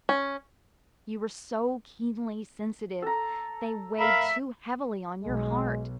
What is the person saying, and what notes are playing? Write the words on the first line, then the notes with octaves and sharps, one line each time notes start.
You were so keenly sensitive--they weighed too heavily on your heart.
C#4
A4 A#5
A#4 E5 F5 B5
B1 G#3